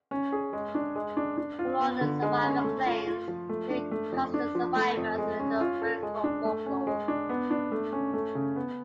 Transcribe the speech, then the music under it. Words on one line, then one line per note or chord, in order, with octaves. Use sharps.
For more on survivor claims, see "Custer Survivors in Little Bighorn Folklore".
C#4
G#4
G#3
D4
G#3
D4
D4
F4
B3
D3
G#3
C#4
A3
F4
F4
F3
A3
D4
A3
F2
D4
F3
A3
F2
G#3
C#4
F4
A4
G#3
D4
A3
C#4
G#3
D4
B3
D4
A3
C#4
A3
C#3
B3